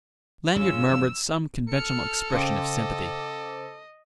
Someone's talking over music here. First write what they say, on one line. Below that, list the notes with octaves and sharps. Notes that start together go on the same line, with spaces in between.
Lanyard murmured some conventional expression of sympathy.
D1 G2 C#3 F3 C#4 F4 E6
F#2 E3 F3
A4 F6 C#7
C#3 C5 D#5 F5 G5 D6